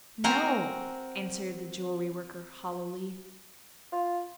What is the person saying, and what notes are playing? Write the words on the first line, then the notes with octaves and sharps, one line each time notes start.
"No," answered the jewelry worker, hollowly.
C4 F#4 A#4 C5 G#5 A#5
F4